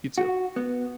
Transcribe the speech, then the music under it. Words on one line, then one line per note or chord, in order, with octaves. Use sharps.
You, too.
F#4
B3